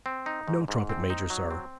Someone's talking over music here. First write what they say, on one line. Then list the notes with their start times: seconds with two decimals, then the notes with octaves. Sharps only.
'No, trumpet-major, sir.
0.06 C4
0.26 D#4
0.48 G#2
0.68 G#2
0.89 C4
1.10 D#4
1.30 F#3
1.51 C4